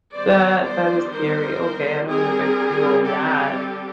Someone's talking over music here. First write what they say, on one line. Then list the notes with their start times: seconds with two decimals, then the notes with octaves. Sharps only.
That that is scary, okay, I don't know if I could do all that.
0.15 D#3 G3 B3 D4 C5 D5
0.64 C5 D5
1.12 A#4 C5
2.09 D3 G3 C4 G#4 A#4
3.06 G4 A4